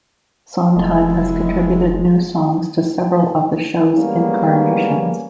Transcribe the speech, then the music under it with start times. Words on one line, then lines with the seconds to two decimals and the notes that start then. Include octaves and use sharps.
Sondheim has contributed new songs to several of the show's incarnations.
0.76 F1 F3 F#3 G#3 A3 E4 D#5
3.95 G3 G#3 A#3 B3 C#4